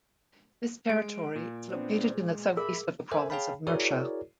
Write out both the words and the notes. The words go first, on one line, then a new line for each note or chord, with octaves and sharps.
This territory is located in the southeast of the province of Murcia.
G#3 D7
A#2
B3 C4 D4
G#3
G#4 A#4 E5 B5
A4 A#4 C5 E5 G#5
G#4 C#5 F5 G5 A5 B5
E4 F#4 G#4 A#4 C#5 D5